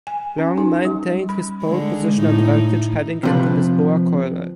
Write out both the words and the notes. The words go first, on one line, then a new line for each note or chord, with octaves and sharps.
Leong maintained his pole position advantage heading into Lisboa corner.
G#5
C#4
D#4
G3
B5
D3 G#3
A2 D#4
C3 F3 B4